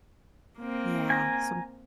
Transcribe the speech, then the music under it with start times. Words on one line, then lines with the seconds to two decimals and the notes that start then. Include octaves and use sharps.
yeah, so
0.59 A#3 C4
1.10 G#5 A#5